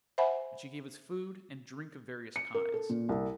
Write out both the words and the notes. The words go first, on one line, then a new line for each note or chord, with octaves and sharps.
And she gave us food and drink of various kinds.
C5 E5 F#5 G#5 B5
C#7
A#4
A4
A#2
C2